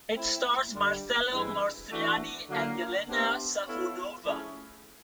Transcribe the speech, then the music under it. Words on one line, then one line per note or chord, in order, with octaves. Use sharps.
It stars Marcello Mastroianni and Yelena Safonova.
A3 C4 E4
G2 D3 G3
G2 E3 G#3 C4 E4
E3 A3 D4 F#4
D3 F#3 A#3
B3 D4 G4 C5 E5
B3 E4 A4 C#5 F5
F3 A3 C#4 E4 G#4